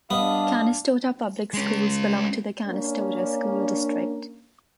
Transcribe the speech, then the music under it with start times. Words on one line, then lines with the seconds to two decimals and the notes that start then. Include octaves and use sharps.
Canistota Public Schools belong to the Canistota School District.
0.10 G3 B3 D4 D#5 F5 D#6
1.54 G#3 C#4
2.67 A#3 C#4 D4